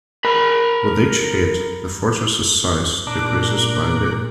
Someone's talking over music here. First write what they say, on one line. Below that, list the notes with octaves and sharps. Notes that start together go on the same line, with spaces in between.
With each hit the fortress' size decreases by a bit.
A#4 B5
A#2 D4 A#5 D6 F#6